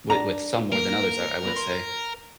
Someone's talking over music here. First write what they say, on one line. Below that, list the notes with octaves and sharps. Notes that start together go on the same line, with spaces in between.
with with some more than others, I I would say.
D4 A#5
A#3 A#4
F#2 A#2 B4
C6